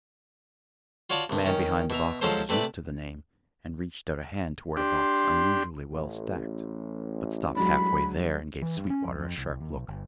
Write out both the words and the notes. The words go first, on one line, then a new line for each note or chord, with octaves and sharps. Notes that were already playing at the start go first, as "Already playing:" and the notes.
The man behind the boxes was used to the name and reached out a hand toward a box unusually well stacked, but stopped half-way there and gave Sweetwater a sharp look.
F4 F#4 C#5 D5 A5 D6
C2 G2
D#3 C#4
B2 E5 A#5
F3 F#3 G#3 C#4 A4 C5
C3 A3 B4 D5
D4 G4 C6
A1
F#3 G#3 D4 B5
E3
G2
C#4
F2
F2
C2
D#2
B1
G1